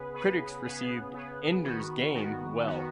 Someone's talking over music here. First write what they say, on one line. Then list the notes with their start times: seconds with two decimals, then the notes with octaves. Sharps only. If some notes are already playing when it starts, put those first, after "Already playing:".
Critics received "Ender's Game" well.
Already playing: C#3 B3 G#4 B4
0.14 C#3 B3 G#4 B4
0.64 C#3 B3 G#4 B4
1.14 C#3 B3 G#4 B4
1.64 D#3 B3 F#4
2.14 D#3 B3 F#4
2.65 D#3 B3 F#4